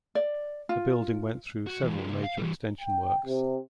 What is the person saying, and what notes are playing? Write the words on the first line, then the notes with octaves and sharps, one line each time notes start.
The building went through several major extension works.
D5
F4
F#4
E3 G#3
F3 G#3
C#3 A#3
F5
E3 G3
G5
C3